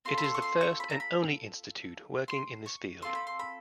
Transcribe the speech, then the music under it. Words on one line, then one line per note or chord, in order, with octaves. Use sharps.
It is the first and only institute working in this field.
C4 F4 A4 C6
B5
C6
C#6
C6
C#6
B5
A#5
B5
C6
C#6
C4 F4 A4 C6
B5
C6
B5